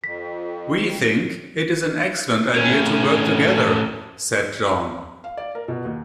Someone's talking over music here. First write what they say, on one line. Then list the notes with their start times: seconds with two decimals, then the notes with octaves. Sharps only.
"We think, it Is an excellent idea to work together," said John.
0.04 F2 B6
2.55 A2 C#4
5.24 F5
5.37 D5
5.55 A#4
5.68 B2
5.85 D#2